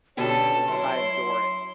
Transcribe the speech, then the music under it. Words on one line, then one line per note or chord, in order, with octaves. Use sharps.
I adore it,
B2 D3 C#4 G4 A4 C#5
F#2 E4 C6